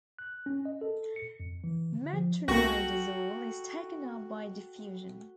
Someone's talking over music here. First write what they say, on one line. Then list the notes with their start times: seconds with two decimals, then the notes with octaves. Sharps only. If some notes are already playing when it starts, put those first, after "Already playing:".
Metronidazole is taken up by diffusion.
0.19 F#6
0.46 C#4
0.65 D#5
0.81 A4
1.16 C#7
1.40 F2
1.64 E3
1.92 D3
2.13 F3
2.48 C2 A#3 F#4 A4 F#5 G5